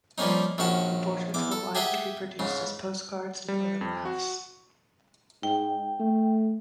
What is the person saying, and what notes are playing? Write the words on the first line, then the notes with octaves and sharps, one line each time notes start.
The portraits were widely reproduced as postcards and photographs.
F3 G3 A#3 C#4 D#4
A#1 D#3 C#4 F#4 A5
E2 D6
A4
G4 G#4 E5 F#5 G5
G#2 C#3
G3
F2
F#4
G#2 G5
A3